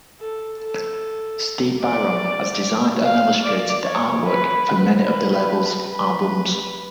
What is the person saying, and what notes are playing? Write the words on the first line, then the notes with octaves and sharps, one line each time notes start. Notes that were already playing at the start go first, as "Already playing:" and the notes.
Steve Byram has designed and illustrated the artwork for many of the label's albums.
A4
A4
D5
F5
D5
C#5
B4
B4
B4